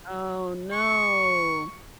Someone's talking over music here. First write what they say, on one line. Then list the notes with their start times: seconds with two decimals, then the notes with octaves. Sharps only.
Oh, no.
0.72 C#6